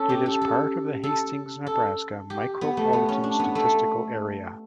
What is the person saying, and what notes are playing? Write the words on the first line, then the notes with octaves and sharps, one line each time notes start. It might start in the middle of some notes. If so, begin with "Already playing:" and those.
It is part of the Hastings, Nebraska Micropolitan Statistical Area.
Already playing: C#4 A4
G4
A4
A4
A4
A4
G4
B3
A3
B3
C#4
D4
B3
A3